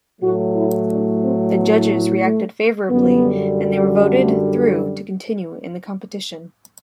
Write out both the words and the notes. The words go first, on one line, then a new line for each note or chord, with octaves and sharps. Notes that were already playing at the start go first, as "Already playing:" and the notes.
The judges reacted favourably and they were voted through to continue in the competition.
A2 F#3 A3 F#4
E4
D4
C4
B3
B3
A3
F#2 D3 G3 B3
A3